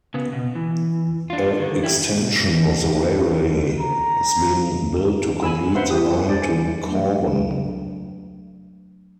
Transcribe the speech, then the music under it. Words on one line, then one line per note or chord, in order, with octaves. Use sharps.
A extension of the railway has been built to complete the line to Corwen.
C#3 B3
B2
E3
D4 F4
D3 D#3
E4 G4
A#5
G#5 B5 E6
B4 C5 E5 F#5 C6
G4 D#6
D4 C5 D5
G#5
F#3 A3 D4